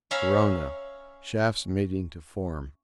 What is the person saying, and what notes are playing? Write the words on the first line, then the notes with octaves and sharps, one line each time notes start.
Corona: shafts meeting to form.
C#4 C#5 E5 F5 A#5 B5